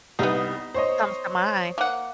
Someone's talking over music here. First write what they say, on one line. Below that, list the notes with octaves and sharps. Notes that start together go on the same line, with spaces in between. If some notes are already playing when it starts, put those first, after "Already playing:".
comes to mind.
C2 G3 B3 D#4
C5 C#5 D#5
A#3 F#5